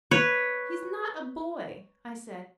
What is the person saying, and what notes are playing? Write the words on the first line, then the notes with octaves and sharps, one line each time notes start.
"He is not a boy," I said.
B4 C#5